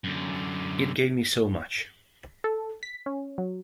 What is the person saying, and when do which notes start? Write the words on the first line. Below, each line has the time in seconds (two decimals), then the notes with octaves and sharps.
It gave me so much.
0.04 F#2 D3
2.44 A4
2.83 B6
3.06 C#4
3.38 F#3